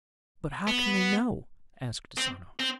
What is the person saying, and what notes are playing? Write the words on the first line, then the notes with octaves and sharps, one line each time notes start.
"But how can they know?" asked Asano.
B3
C4
C4